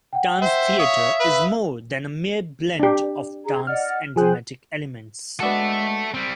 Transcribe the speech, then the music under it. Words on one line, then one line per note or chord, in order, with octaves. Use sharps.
Tanztheater is more than a mere 'blend' of dance and dramatic elements.
F#5 G5
C5 E5
C#5 F5 D#6
B4
D4 G4
G#4 A#5
D5 D#5 F#5 F6
F3 G#4 C5 G5 G#5 F#6
G#3 B3 D4 F#4 A4 E5
G3 C4